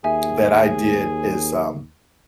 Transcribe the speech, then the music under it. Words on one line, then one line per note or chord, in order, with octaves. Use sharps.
that I did is, um,
D#2 G#4 E5 G#5